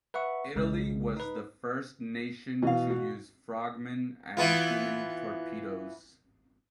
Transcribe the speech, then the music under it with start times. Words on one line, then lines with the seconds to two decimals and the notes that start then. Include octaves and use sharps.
Italy was the first nation to use frogmen and human torpedoes.
0.14 B4 E5 F#5 C#6
0.56 B1 C#3 G#3
1.17 D#4 B4
2.62 B2 E3 F5
2.90 F#4
4.37 E3 B3 F4